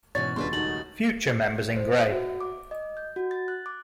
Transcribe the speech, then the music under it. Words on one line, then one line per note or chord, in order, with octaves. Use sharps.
Future members in gray.
G#2 B2 E3 C#4 F#4 C#5 A6
D#1 C#2 G#2 D4 B4 C6
A3 D#4 F#4 A#4 F#7
C5
E5
F#4
D6
D#5
G6
F#4
A6
F#6
D6